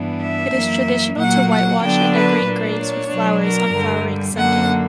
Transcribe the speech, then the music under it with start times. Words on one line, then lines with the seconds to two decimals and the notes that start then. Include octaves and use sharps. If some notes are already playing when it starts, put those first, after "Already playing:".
It is traditional to whitewash and decorate graves with flowers on Flowering Sunday.
Already playing: G2 E3 B3 D4
0.23 E5
0.54 F#2 E3 A#3
1.18 A#2 F#3 A#3 F#5
1.50 F#5
1.81 D3 F#3 B3 D4 G5
2.14 B4
2.45 A#2 A#3 D4
2.77 C#5
3.09 B2 F#3 B3 D4
3.41 A#4
3.73 G2 D3 G3
4.37 F#2 D3 A#3 F#5